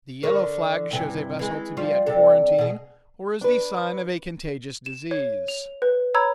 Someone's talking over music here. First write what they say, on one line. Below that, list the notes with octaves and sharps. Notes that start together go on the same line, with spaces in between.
The yellow flag shows a vessel to be at quarantine or is the sign of a contagious disease.
D3 A#4 C#5
G2 C3 E3
E3 G#3
F3 G3 F4
C3 D4 A4
B2 G#4
D4 B4
E7
C#5
F7
B4
C#5 A#5 B5 E6 G#6